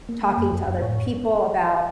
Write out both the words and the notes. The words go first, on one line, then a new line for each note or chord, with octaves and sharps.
talking to other people about
A#3
A#3
F#2
F#2
F#2
A2 C#5